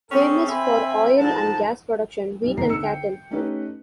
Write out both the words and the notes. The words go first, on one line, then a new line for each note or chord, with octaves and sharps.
Famous for oil and gas production, wheat and cattle.
C4 C#4 G#4 A4
C4 E5 G#5 B5
G#2 F3 A4 A5
B1 G3
G#1 D#2 A4 B4 A#5 C7
D3 E6 C#7
G5
A3 C#4 D#4 G4 A4 B4